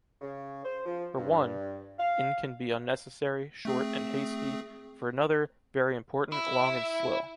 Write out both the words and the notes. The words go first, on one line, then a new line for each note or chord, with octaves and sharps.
For one, in can be unnecessary, short and hasty, for another, very important, long and slow.
C#3
C5
F3
G2
F5
A3 C4 G#4
E4 E5